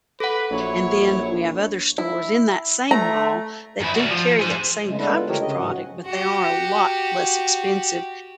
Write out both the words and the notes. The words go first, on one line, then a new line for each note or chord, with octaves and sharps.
And then we have other stores in that same mall that do carry that same type of product, but they are a lot less expensive,
A4 B4 F#5
A#1 F#3 E4 C#5
E4
A3 A#5
F#2 E4
F#4 D5
F3
G#4 C5
C#3 G#3 A3
G#3 B3 D4 E4 A4 B4
F4
D3 A3 G4 A#4 C#5
C#3 D#5
G#2 F#3 C#4 F#4 F#5
F#4 G4